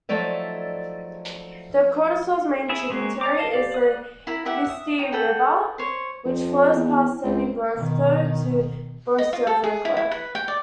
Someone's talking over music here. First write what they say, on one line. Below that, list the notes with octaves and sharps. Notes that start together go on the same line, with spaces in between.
The Kotorosl's main tributary is the Ustye River, which flows past Semibratovo to Borisogleb.
F3 F#3 A3 D#4 D5 E5
E4 G#4 E5
G#3 A#3 F#4 G#4
D5 A#5 D6
D#5 F5 A5
G4 D5 F5
D5 D#6 F#6
E4 A#4 A#5 B5
E4 G4 E5 F#5
E5 D#6
G5 A#5
A4 B4 F#5 G5
C5 C#5
F2
E2
C#2
B2 D#3
D#5
F4
A4
G#4
E4
E4
B4
G5
D5